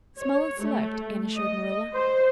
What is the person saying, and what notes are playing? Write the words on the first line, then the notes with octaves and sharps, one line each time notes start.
"Small and select," Anne assured Marilla.
C#5
A3
D#5
C5